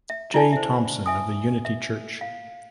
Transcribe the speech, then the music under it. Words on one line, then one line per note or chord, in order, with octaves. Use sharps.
J. Thomson of the Unity Church.
E5
E4 D5 G#5 A5
C5 E5
E5 G#5 D#6
E5
F5